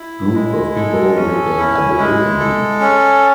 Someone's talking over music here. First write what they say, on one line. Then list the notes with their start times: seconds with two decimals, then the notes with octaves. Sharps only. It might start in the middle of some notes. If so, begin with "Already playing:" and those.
Group of people waiting at the voting booths.
Already playing: E4
0.34 G#3
0.75 A4
1.16 C#4
1.58 E4
1.98 G#3
2.40 A4
2.81 C#4